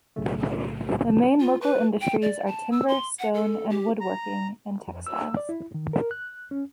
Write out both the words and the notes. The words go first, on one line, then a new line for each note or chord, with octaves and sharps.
The main local industries are timber, stone- and wood-working and textiles.
B1 A2 C#3 F#3 A3
F4
B4
G5
D5
A5
E6
C6
F#5
A4
G4
A#5
F2
E6
D5
E4
D#3
A#4
F#6
C#4